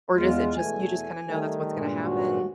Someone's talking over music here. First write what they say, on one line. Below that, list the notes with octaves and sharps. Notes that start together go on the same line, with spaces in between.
Or does it just you just kinda know that's what's gonna happen?
E2 G#3 F4
E2 B2 A3 G#5
D#3 G3 A3
G2 A#2 G#3
D#2 G#2 F#4